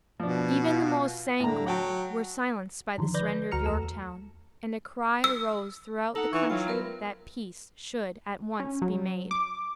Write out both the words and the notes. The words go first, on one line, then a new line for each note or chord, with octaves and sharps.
Even the most sanguine were silenced by the surrender of Yorktown, and a cry arose throughout the country that peace should at once be made.
B2 F3 D4
F4
A2 D3 A#5
F#3 F#5 G5 A5
D3 D#3 F3
B4 D5 G6 A#6
D2 F#4 A#5 F6 C#7
E2 A3 A4
E6
D#4 A4 F#5 A#5 E6
E3 C#6
F#3 F4 G5
B3 A#4 B4
C#4
F#3
D6